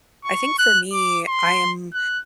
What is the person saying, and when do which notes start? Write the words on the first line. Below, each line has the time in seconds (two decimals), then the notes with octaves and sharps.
I think for me, I am
0.24 C#6
0.58 F#6
0.92 D6
1.28 C6
1.93 F#6